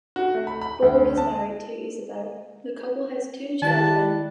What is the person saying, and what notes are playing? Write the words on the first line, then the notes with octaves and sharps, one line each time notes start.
Borg is married to Isabelle; the couple has two children.
F#4
A3
B5
B5
D2
A5
D#3 G3 E4 A5 F#6